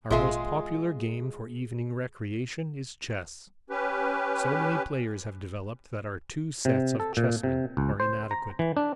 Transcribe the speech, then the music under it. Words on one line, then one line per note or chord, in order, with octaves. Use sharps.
Our most popular game for evening recreation is chess; so many players have developed that our two sets of chessmen are inadequate.
G#1 A#2 G#3 F4 G#4 E5
C#4 G4 B4
C3
A4
A#2
C3
C#2
C5
A#5
E3
D4